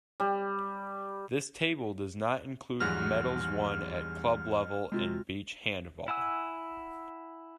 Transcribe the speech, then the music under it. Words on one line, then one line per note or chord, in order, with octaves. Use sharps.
This table does not include medals won at club level and Beach Handball.
G3
A#1 E2 G#2 F#3 G3 F#4 F6
C3 G#3 F4 F#4
E4 F#5 G#5 E6